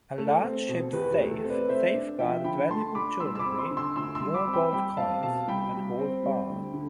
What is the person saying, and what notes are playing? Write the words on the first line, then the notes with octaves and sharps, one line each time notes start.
A large ship's safe safeguarded valuable jewelry, more gold coins, and gold bars.
A3 A4
C4
B2
E2 G4 B4
G4
A3
A4
C4
B4 D5
A3 C5 E5
D4
F3 E5 G5
D3 G5 B5
A3 A5 C6
D4 B5 D6
G3 C6 E6
E6
B5 D6
C4
C6 E6
D3
C6 E6
D2 C6 E6
C6 E6
G3
B5 D6
C4
G5 B5
G3 G5 B5
C4 F5 A5
B2 F5 A5
C2 G5 B5
G3
C4
G3
D2
D3